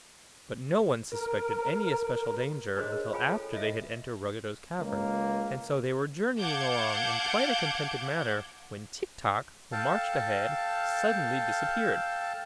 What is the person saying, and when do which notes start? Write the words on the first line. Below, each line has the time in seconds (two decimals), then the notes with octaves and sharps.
But no one suspected any especial danger until after they had entered Ruggedo's cavern, and so they were journeying along in quite a contented manner when Tik-Tok, who marched ahead, suddenly disappeared.
1.12 A#4
2.77 D4 F#4 G#4 C5 C#5 D#5
2.92 A#4
3.13 F4 C#5 G5 G#5 B5
3.31 A4
3.54 D#5 E5
4.79 C#2 A#3
6.40 F5 F#5 A5 D6 G6 G#6
9.72 A4 F5 G5 A5